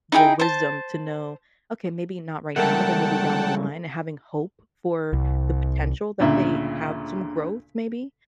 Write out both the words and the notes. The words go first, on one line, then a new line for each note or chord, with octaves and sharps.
the wisdom to know, "Okay, maybe not right now, but maybe down the line," having hope for the potential that they have some growth, maybe?
D#4 E4 G#4 G5
C5 A5
C#2 G2 A4 A#4 E5 F#5 G5 A5
C2
D2 G2 A#2 C#3 E5